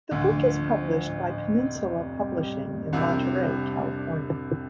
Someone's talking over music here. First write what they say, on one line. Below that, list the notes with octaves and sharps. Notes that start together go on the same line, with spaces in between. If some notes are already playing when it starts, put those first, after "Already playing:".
The book is published by Peninsula Publishing in Monterey, California.
A1 D2 D3
F3
F3
F3
A1
A1
C3
F1
F2
G3
F2
F1
C2 C3 D4
G3
D4
D4
D4